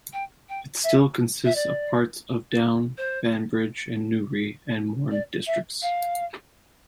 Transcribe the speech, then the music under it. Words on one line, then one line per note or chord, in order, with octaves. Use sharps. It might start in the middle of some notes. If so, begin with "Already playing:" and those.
It still consists of parts of Down, Banbridge and Newry and Mourne districts.
G5
G5
E5
E5
D5
C5
D5
E5
F5